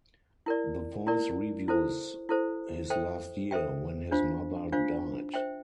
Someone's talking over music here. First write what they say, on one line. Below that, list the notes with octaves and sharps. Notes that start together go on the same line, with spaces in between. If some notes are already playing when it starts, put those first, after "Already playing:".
The voice reviews his last year, when his mother died.
E4 A#4 D5
E4 A#4 D5
E4 A4 C5
E4 A4 C5
A4 C5 E5 G5
A4 C5 E5 G5
D4 F4 C5 F5
D4 F4 C5 F5
C5 E5 G5